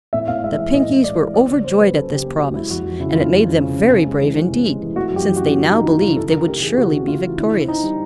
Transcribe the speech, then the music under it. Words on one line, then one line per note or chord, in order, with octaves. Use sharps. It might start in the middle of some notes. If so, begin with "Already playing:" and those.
The Pinkies were overjoyed at this promise and it made them very brave indeed, since they now believed they would surely be victorious.
A2 E5
A2 F5
G#3 E5
E3 E5
A2 D#5
A2
G#3 D5
E3
C#4 D5
C#3 C#5
A#3 C5
F#3 B4
C#4 A4
C#3 G4
A#3
F#4
F#3
G#3 E4
F2 F#4
F3
C#3 E4
G#3 F4
F2
F3
C#3
C#4
C3
G#3
E3
C#4
C3
G#3
E3
A3 F#4
F#2 G4
E3
F#4
C#3
A3 F4
F#2 D#4
E3 E4
C#3 F4
C#3 A4
C#3 A#4
A3 G4
E3 G#4
C#3 F#4
C#3
A3 F4
E3
D3 E4
D3
C4 D#4
G3